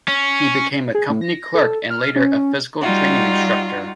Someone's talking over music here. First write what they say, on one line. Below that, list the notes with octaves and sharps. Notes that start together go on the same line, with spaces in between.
He became a company clerk and later a physical training instructor.
C#4
G#4
A2
A#6
A4
F6
C#4
G3 D#4 F4 F#4